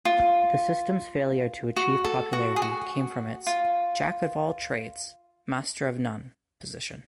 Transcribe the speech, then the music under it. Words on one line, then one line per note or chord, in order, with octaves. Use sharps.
The system's failure to achieve popularity came from its "jack-of-all-trades, master-of-none" position.
F4
F#4
A4
F#4
G#4
F#4
F4